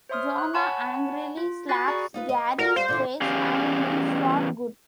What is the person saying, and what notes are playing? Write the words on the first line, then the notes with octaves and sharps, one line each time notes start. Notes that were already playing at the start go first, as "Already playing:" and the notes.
Joanna angrily slaps Garry's face and leaves for good.
C5 C#5 E5 C6 D#6 F6
F#6
C#5 F#5 G#5 A5 B5 C#6
F4
F#4 G#5 F#6 A6 A#6 C7
F#4 G#4 D5 A#5 B5 C#6
D#4 F4 B4
D#5
F#4 A4 A#4 D5
G3 C5 F5
A#2 D3 E3
E2 C#4 G4 F5